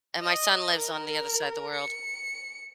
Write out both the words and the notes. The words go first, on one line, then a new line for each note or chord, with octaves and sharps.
And my son lives on the other side of the world.
D#5
A#4
C#7